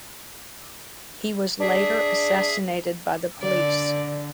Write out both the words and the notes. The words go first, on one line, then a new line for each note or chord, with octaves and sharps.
He was later assassinated by the police.
D4 G#4 E5
D3 D5